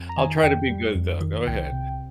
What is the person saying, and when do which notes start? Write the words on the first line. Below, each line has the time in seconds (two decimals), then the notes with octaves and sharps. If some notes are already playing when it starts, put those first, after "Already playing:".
I'll try to be good though. Go ahead.
Already playing: F2
0.09 A#5
0.17 D#3 G#5
0.43 F2 G5
0.70 G3
0.95 F2
1.21 D#3
1.47 C2 G5
1.72 C3